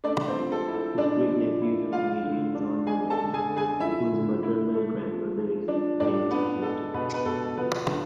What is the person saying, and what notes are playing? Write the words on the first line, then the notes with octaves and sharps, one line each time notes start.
His great-nephew is comedian John Mulaney, whose maternal grandmother is Bates' sister.
A3 D4 D5
C4 C5
F3
A4
E4
A4
G#3 D4 D5
F3
E4
F3 F4 F5
D3
D4
G#3 G#4 G#5
A4 A5
D3
G#4 G#5
D3
G#4 G#5
F3 E4 E5
D3
E4
A3
F3
F3
F3 D4 D5
A2 D4 D5
B3 D4 B4
G#3 A4
B2 B3 B4
B4
B2 A4
F3 B3 B4
D3